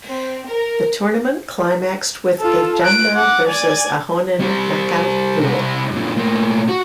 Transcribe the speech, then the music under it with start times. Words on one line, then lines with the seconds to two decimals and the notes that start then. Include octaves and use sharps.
The tournament climaxed with a Janda versus Ahonen knockout duel.
0.10 C4
0.46 A#4
2.39 F4 A4
2.83 F#6 D7
3.16 F#5 D6
3.48 D5 G#5
4.40 G3 C4
5.40 C3 E4
5.91 F#2 A#2
6.17 A2 A#3
6.68 F#4